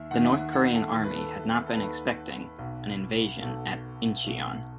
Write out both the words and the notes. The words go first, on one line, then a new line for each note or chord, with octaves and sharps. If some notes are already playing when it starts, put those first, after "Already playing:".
The North Korean army had not been expecting an invasion at Incheon.
Already playing: D#2 D#3 E5
D#2 D#3 F#5
E5
F#5
F#5
A4
D#2 D#3 A4
B4
A4
A4
D#2 D#3 B4
B1 B2
B1 B2 A4
B1 B2